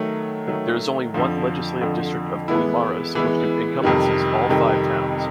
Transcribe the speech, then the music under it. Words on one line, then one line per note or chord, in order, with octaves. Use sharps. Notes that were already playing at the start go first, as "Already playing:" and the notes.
There is only one legislative district of Guimaras which encompasses all five towns.
Already playing: D#3 F#3 A3
D#3 F#3 A3
F2 D3 F3
F2 D3 F3
E3 G#3 B3 E4
E3 G#3 B3 E4
F2 C3 D#3 G3
F2 C3 D#3 G3